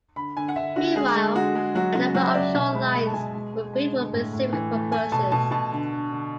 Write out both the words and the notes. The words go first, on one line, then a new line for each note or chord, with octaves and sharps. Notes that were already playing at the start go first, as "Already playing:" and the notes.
Meanwhile, a number of short lines were built for specific purposes.
D3 B5
D3 G#5
F#5
D3 E5
D3 F#4
G#3 G#4
G#3
D3 F#4
G#3
F#3 F#4
C#3 F#4
F#3 F#4
E5
C#3 D5
B2 E5
G#3 B5
G#3 B5
A5
B2 G#5
G#3
G#3
G#3
D3
A2
A2
E3
A3
A3 G#5
B2 A5
B2 A5
B2 A5
D3
D3
D3